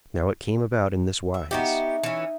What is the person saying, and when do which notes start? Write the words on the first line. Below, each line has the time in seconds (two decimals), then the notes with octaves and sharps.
Now it came about in this wise.
1.34 E5
1.51 B3 D#4 F#4 G4 E5
2.04 E3 C#4